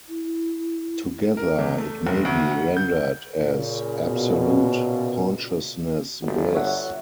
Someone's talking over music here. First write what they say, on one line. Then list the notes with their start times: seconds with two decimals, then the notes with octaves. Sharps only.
Together, it may be rendered as "Absolute Consciousness Bliss".
0.09 E4
1.37 A#4
1.59 E2
1.78 A3
2.07 F1
2.25 D2
2.51 F#5
2.77 G6
3.40 A#2 C#3
4.06 B2
6.22 G1 F#4
6.55 C#5 E5 F#5